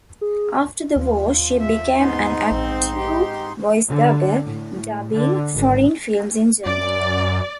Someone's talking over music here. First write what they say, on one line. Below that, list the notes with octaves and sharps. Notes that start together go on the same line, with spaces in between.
After the war, she became an active voice dubber, dubbing foreign films in German.
G#4
D#2 F3
E5
G#2 B3 D#4 C6
A#1 C4
G4
D3
A2
D3
G#1
F#2 D5